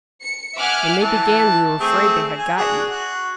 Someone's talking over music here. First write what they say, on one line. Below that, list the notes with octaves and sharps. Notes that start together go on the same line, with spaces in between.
When they began we were afraid they had got you.
C#7
E5 F#5 G#5 D6 F6 F#6
E3 A5
A3 C4 G#4
G#5
D4 F#4 G#4
F#4